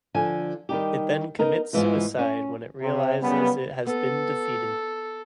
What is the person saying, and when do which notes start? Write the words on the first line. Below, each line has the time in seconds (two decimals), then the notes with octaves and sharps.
It then commits suicide when it realizes it has been defeated.
0.14 D3 F3 G#5
0.69 D#3 G3 D#4 G4
1.39 B3 D#4 A#4
1.73 G#2 E3 F3 G#3 B3 F4
2.19 C#4
2.82 C3
3.21 F#2 C#3 G3 B3
3.86 B3 A4